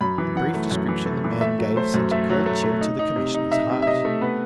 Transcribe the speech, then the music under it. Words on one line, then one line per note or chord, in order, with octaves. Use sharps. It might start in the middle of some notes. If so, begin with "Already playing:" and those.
The brief description the man gave sent a cold chill to the Commissioner's heart.
F#2 B5
E3
E3 F#5
A3
F#2
E3
A3
E3
A3 E5
F#3
A3 C5
F#2
A3 E5
F#3
A3
A3
D#4
D#4
C3
D#4
D#4 E5
C3
E5
C3 D#5
A3
B3 B4